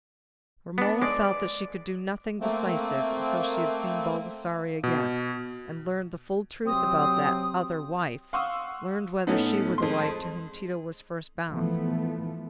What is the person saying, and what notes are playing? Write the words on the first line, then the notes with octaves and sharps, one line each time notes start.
Romola felt that she could do nothing decisive until she had seen Baldassarre again, and learned the full truth about that "other wife"--learned whether she were the wife to whom Tito was first bound.
B3 D4
G#3 D5
A3 A#3 C4
B2
C3 F#3 C4 D#6
F5 F#5 C6 C#6 D#6 E6
A2 B3 C#4 D#4 A4
F2 G#3 C6
E3 F3 A3 B3